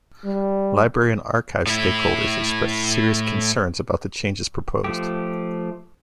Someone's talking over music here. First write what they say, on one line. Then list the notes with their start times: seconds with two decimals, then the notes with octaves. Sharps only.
Library and Archives stakeholders expressed serious concerns about the changes proposed.
0.25 G3
1.67 A2 E4
4.84 F3 A3 G4